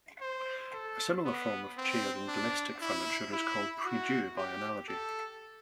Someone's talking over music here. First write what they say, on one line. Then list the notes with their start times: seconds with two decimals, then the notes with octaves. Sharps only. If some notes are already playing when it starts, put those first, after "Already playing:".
A similar form of chair in domestic furniture is called "prie-dieu" by analogy.
0.21 C5
0.73 A4
1.25 B3
1.77 C4
2.28 D4
2.81 E4
3.33 E4
3.84 F#4
4.37 G4
4.88 A4